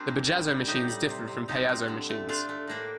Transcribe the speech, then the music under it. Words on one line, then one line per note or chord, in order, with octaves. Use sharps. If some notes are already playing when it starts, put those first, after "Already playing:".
The bajazzo machines differed from payazzo machines.
Already playing: G3 A#3 C4 D4 F4
A#2
G3
G3
A2 D#4 G4
G3
C3
C3
C3 D#4 G4
C3
D3
A3
A3 D4 F4
A3
A2 A#3 D4